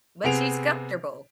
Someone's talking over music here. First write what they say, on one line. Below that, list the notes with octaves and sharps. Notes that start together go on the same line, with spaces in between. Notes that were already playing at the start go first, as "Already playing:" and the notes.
But, she's comfortable.
C3 B3 C4 G#4 D7 F7